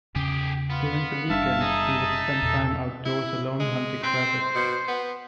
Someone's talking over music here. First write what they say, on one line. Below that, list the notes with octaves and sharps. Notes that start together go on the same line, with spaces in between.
During weekends, he would spend time outdoors alone hunting rabbits.
E2 C#3 C#4 G4 G#4
B3 F4
F#1 G3 D4 E5 F5 A5
D#4 G#4
E2 B2 A4
E4
G#3
C4 C5
B2
B3